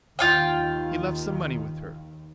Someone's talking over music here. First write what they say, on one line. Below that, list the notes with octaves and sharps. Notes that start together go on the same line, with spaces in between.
He left some money with her.
D#2 D#3 F4 F5 G5